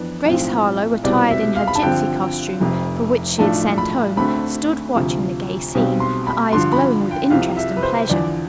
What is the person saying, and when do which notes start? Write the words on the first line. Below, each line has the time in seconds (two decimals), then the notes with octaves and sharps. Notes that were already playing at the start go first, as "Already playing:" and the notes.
Grace Harlowe, attired in her gypsy costume, for which she had sent home, stood watching the gay scene, her eyes glowing with interest and pleasure.
Already playing: F2 E3 B3 D4
0.25 B1 A2 F3 C4
1.03 C2 B2 G3 C4 D5
1.31 E5
1.55 F5
1.67 B5
1.75 A5
1.82 G2 D3 F3 C4 G5
2.60 F1 F2 C3
3.39 B1 A2 F3 A3 D4 A5
3.78 B5
4.17 D2 D3 A3 C4 B5
4.95 D2 C3 F3
5.75 B1 B2 G3 C4
6.00 C6
6.27 B5
6.52 G2 D3 F3 C6
6.73 B5
7.11 G5
7.30 C2 C3 F3 F5
7.57 E5
7.77 B4
7.83 C5
8.09 E2 D3 F3 D5